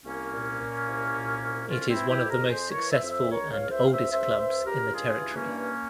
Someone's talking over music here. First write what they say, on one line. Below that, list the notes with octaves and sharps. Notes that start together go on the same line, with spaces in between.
It is one of the most successful and oldest clubs in the territory.
C2 A#3 C#4
A#2
A#2
C2
A#2
C2
F2 C#4 F4
C4 E4
E3
E4 G4
F2
G4 A#4
F2 G#4 C5
A#4 C#5
E3
C5 E5
F2
C5 E5
C#2 A#4 C#5
C#5 F5
C#2
C5 E5
C#2 F5
C5 E5
C#2 C5 E5
C#2 C5 E5
C#2 G4 A#4
G2 F4 G#4
E3
A#3 C#4
G2